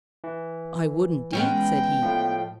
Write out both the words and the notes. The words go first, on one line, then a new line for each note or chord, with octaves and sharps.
"I would, indeed!" said he.
E3
G#3 B3 C#4 G5
A2 F3